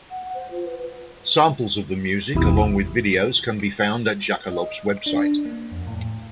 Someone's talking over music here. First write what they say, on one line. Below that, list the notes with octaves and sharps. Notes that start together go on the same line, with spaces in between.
Samples of the music, along with videos, can be found at Jakalope's web site.
F#5
C5
F4
B4
A1 E2 C3 E4 D#6 E6
D#5
D4
A#3
F2
A2